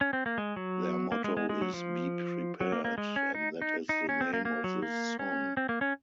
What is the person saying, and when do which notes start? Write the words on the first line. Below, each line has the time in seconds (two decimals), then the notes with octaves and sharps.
Their motto is "be prepared", and that is the name of this song.
0.01 C#4
0.13 C4
0.26 A#3
0.38 G#3
0.56 F#3
1.12 A#3
1.24 G#3
1.37 G#3
1.49 G#3
1.61 F#3
1.73 F3
2.61 F#3
2.72 A#3
2.85 A#3
2.98 G#3
3.16 C#4
3.35 D#4
3.62 D#4
3.89 D#4
4.09 C#4
4.21 C4
4.33 A#3
4.45 A#3
4.64 F#3
4.82 A#3
5.19 C#4
5.57 C4
5.69 A#3
5.81 C#4